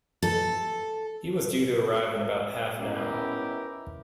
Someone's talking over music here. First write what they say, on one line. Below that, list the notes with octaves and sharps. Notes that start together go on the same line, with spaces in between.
He was due to arrive in about half an hour.
A4
B3 C#4 D#4 E4 G4 A#4